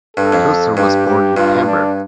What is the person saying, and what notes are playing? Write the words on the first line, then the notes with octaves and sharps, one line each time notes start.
Koester was born in Hamburg.
G2 A4
F2
G2 G4
G4
G2 F4
D4